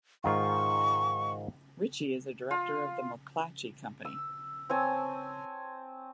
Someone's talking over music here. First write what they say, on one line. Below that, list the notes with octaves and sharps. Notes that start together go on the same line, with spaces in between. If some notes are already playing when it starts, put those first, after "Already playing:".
Ritchey is a director of The McClatchy Company.
G#2 D#3 F4 C#6
F4
E6
C4 C#5 G#5 A5